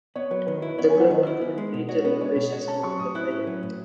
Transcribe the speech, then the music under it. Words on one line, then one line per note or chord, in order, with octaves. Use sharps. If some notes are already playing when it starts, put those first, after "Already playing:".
The club underwent major renovations following the fire.
B3 C#5
F#3 B4
D#3 B4
B4
E4
B4
B3 C#5
G#5
F#3 F#5
D#3 D#5
E4
B3
G#3
B2
F#4 C#5
B3 B4
G#3 C#5
B2
F#4 C#5
C#4 A5
F#3 C#6
A2 D#6
E4 F#6
C#4
F#3
A2